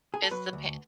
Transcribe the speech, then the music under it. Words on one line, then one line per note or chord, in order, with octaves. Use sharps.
It's the pa
G#4
A4
F#3 B4
D2